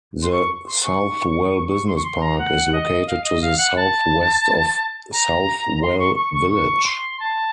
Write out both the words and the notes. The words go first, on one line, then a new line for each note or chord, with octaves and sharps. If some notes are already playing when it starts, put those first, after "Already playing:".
The Southwell Business Park is located to the south-west of Southwell village.
C6
C#6
C6
C#6
C#6
C6
C#6
C6
A#5
F#5
D#5
F5
D#5
F5
F#5
A5
A#5
C6
C#6
C#6
C#6
C#6
C6
A5